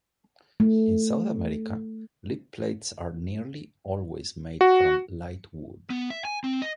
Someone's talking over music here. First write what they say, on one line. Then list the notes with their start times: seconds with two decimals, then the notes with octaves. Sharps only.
In South America, lip plates are nearly always made from light wood.
0.60 A3
4.61 F#4
5.90 B3
6.10 E5
6.25 G#5
6.44 C4
6.62 D#5